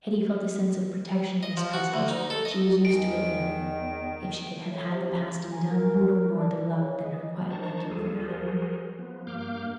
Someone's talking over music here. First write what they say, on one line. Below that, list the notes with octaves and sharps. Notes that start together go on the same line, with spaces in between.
Hetty felt a sense of protection in his presence--she was used to it now: if she could have had the past undone and known no other love than her quiet liking for Adam!
D#5
F3
F#4
D2
D#4
A4
D#5
E2 D#3 G#3 D7
A2
C3
C#3
A#5
G#5
A#4
D4
C#3
D#5
D#3 D4 C5 A5 A#5 C#6
D#2 G3 F4 G#4 A4
F#4 G#4 A#4 C5
F3 B3
G2 A#3 F5 D6 F6 G6